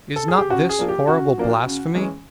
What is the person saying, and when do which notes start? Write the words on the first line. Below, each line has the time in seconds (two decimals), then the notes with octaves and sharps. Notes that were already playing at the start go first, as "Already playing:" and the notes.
Is not this horrible blasphemy?
0.16 A4
0.28 G#4
0.38 G4
0.50 C#3 F#4
0.69 G#4
0.79 F3 A#3 D4
0.88 G4
1.08 C#3 F#4
1.38 F3 A#3 D4
1.66 C#3
1.95 E3 G#3 C#4